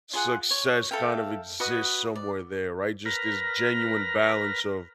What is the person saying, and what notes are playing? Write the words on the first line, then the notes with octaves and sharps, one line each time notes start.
Success kind of exists somewhere there, right, just this genuine balance of
F4 G#4 F#5
C#5
A4 E5 F5 G5
F#4 B4 D#5 D#6
D5
A#4 B4 A#5 F6